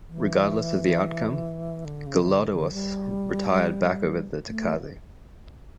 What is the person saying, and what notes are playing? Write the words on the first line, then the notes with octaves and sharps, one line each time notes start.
Regardless of the outcome, Gelawdewos retired back over the Takaze.
E3
D3
C#3
E3
D3
D3
G3
A3